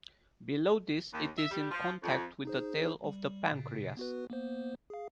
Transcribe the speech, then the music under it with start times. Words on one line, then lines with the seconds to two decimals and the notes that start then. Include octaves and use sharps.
Below this it is in contact with the tail of the pancreas.
1.13 D#2
1.38 E5
1.50 G3
1.71 F3
2.02 F2
2.45 D#4 G#4 C5
3.04 G3
3.52 A#2 C#3
3.97 B3 F#4 B4
4.30 A#3 B3 C5
4.90 G#4 F5